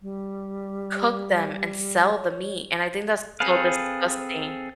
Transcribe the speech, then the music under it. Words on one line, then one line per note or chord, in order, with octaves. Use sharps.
cook them and sell the meat, and I think that's so disgusting.
G3
C#5
C4 G#4 A4 B4 F5